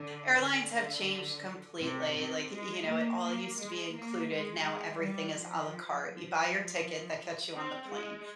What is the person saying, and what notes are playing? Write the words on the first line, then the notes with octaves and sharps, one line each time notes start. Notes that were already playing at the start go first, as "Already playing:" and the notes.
Airlines have changed completely, like, y you know, it all used to be included, now everything is a la carte; you buy your ticket that gets you on the plane,
Already playing: D3
D3
C3
C3
G#3
A#3
A#3
G#3
A#3
G#3
G#3
G3
F3
F3
C4
G#3